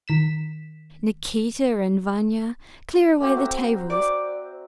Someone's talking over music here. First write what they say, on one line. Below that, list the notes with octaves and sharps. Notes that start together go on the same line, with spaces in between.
Nikita and Vanya--clear away the tables!
D#3 B6 E7
A3 C4 F#4 F5 G5 D6
F#4 C5 E5 A#5
D5